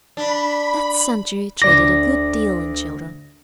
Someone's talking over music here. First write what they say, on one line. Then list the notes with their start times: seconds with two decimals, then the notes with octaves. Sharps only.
That century traded a good deal in children.
0.17 D4 B5
1.62 D2 D5 D6 A#6